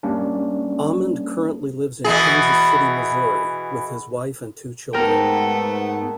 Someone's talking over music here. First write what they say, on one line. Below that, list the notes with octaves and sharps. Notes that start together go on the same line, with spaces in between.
Amend currently lives in Kansas City, Missouri with his wife and two children.
G3 A#3 C#4 D4
B2 E3 G#4
G#2 A3 B3 A4 A#4 G5